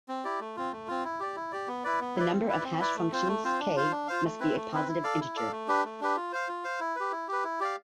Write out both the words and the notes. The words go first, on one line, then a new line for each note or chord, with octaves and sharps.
The number of hash functions, "k", must be a positive integer.
C4
E4 G4 D5
A3
C4 F4
A3
C4 F4
E4
G4 D5
E4
G4 D5
B3
E4 B4 D5
B3
E4 B4 D5
C4
E4 B4 D5
C4
E4 B4 D5
A3
C4 F4 C5
A3
C4 F4 C5
D4
F4 C5 F5
D4
F4 C5 F5
A3
C4 E4 B4
A3
C4 E4 B4
E4
A4 D5 F5
E4
A4 D5 F5
A3
D4 G4 B4
A3
D4 G4 B4
F4
C5 F5
F4
C5 F5
E4
G4 B4
E4
G4 B4
E4
G4 D5 F5